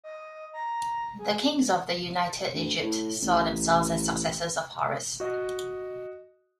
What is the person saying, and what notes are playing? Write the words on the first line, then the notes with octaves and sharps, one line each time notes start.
The kings of the united Egypt saw themselves as successors of Horus.
D#5
A#5
G#4
D2
A2
A1
F#4 D#5